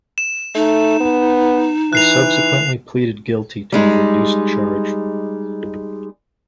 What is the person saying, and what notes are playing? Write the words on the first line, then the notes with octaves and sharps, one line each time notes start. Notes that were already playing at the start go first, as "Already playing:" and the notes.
They subsequently pleaded guilty to a reduced charge.
E7
A3 D#4
B3
E3 F#6 C7 F7
G3 G#3 D#4